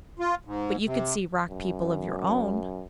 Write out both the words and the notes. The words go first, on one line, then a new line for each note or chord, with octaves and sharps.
But you could see rock people of your own.
F4
G#2
C3
F#2